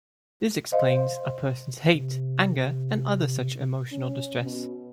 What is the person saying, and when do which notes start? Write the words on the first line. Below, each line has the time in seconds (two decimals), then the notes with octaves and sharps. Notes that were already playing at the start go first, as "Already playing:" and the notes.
This explains a person's hate, anger and other such emotional distress.
0.72 C5 D#5 F5
1.94 C3
3.92 C#4
4.45 B2